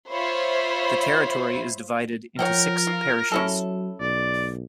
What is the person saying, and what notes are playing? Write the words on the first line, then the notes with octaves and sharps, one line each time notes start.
The territory is divided into six parishes.
F4 C5 C#5 E5 B5
F3 A#4 C#5 F#5 G5
F4
F#3 C#4 E4 A4
B1 D5